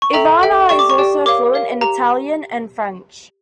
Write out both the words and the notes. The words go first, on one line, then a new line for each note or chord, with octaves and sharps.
Ivana is also fluent in Italian and French.
C#6
A4 E5 G5 A#5
A4 E5 G5
G4 D5 G5 C#6
D6
C#6
G4 D5 G5
A#4 C#5 F5 D6
A#4 C#5 F5
G4 A#5